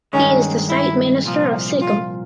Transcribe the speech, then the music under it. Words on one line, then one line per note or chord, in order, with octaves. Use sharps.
He is the State Minister of Sikkim.
G2 D#3 G#3 C#4
E4
C2 A#2 F3 F4
F4